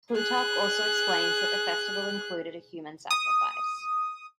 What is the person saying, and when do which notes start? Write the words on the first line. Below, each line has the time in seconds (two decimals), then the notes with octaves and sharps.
Plutarch also explains that the festival included a human sacrifice.
0.13 G#4 F#6
3.11 D#6